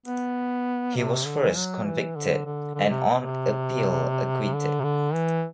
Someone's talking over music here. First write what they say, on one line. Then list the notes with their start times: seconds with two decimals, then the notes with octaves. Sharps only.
He was first convicted and on appeal acquitted.
0.06 B3
0.96 C3
1.26 D3
1.38 D3
1.47 E3
1.55 F#3
1.85 E3
2.16 D3
2.45 D3
2.74 D3
2.89 C3
3.16 C3
4.54 D3
4.80 C3
4.84 D3
5.13 E3